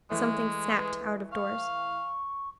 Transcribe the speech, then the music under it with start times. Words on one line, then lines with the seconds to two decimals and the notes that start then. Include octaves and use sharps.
Something snapped out of doors.
0.10 E3 G#3 A3
0.77 B4
1.32 F5 C#6